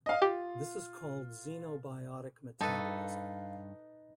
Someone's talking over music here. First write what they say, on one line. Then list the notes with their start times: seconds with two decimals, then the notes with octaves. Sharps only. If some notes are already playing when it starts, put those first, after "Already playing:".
This is called xenobiotic metabolism.
0.06 D#5 F5
0.22 F4 G4
2.61 G2 D#4 A4 B4 F5 A5